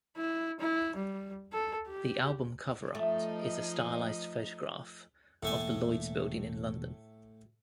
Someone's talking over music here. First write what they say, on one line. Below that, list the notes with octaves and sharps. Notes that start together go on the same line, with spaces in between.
The album cover art is a stylised photograph of the Lloyd's Building in London.
E4
E4
G3
A4
G4
F3 A3 D#4 D#5
E1 A2 A3 A#3 G#5